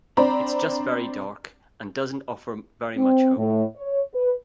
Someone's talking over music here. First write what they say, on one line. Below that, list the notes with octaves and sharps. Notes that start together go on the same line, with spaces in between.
It's just very dark and doesn't offer very much hope.
C4 D4 C5 D5 A#5 B5
C4
A2
C#5
B4